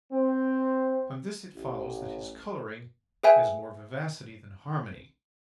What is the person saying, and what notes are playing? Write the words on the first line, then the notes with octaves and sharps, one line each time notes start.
From this it follows that his colouring has more vivacity than harmony.
C4
A1
G#4 B4 E5 G5 G#5